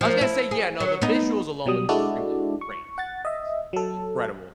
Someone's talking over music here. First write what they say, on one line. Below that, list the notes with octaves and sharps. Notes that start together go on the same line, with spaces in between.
I was gonna say, yeah, no, the visuals alone look extremely great, I would say, they're incredible.
F3 A#3
E4
G#4
F#3
B3 D#4
B2 F#3 G3 D#6
G#3 D4 E4 F#4 A4 D5
C#6
F#5 A6
D#5 E5
F#3 A4